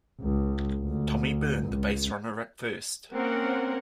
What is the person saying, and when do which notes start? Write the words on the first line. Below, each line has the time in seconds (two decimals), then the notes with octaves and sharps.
Tommy Byrne the base runner at first.
0.20 C#2
0.83 D2
1.67 C#2
3.13 A#3 C4 C#4 A#4 F#5